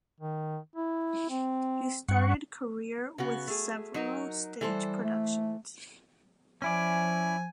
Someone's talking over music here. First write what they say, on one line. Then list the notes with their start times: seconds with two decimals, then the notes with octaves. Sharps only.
He started career with several stage productions.
0.21 D#3
0.76 E4
1.30 C4
2.08 G2 F#5 C#6
3.18 C#3 B3 F#4
3.48 A3 G#4
3.94 F#3 D#4 A#4
4.61 E3 G3 A4 C5
5.04 A3
6.62 F3 C#4 E4 D5 G#5